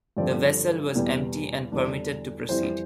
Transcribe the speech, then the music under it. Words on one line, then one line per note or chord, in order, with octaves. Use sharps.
The vessel was empty and permitted to proceed.
G2 D3 F3 C4 D5
E2 B2 G3 B3
E2 D3 G3 D4
F2 E3 G3 C5